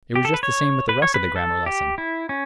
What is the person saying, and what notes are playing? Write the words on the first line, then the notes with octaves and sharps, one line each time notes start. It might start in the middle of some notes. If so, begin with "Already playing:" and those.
It was just the same with the rest of the grammar lesson.
G4
A4
B4
C#5
B4
C#5
B4
A4
G4
E4
C#4